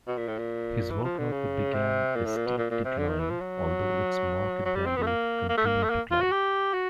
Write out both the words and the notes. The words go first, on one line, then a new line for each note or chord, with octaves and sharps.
His work output began a steep decline, although its market value continued to climb.
B2
A#2
A2
A#2
E3
F3
D3
C#3
C3
A#2
A2
A#2
B2
A#2
A#2
C3
D3
D#3
E3
F3
F#3
F#3
G3
C4
B3
A3
A#3
A#3
A3
A#3
A3
A#3
F4
F#4
G4
F#4